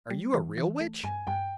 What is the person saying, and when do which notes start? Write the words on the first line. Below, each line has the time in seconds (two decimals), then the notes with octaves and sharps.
"Are you a real witch?"
0.10 G3
0.34 E3
0.58 E3
0.81 A3
1.04 G2 G#5
1.27 G2 G5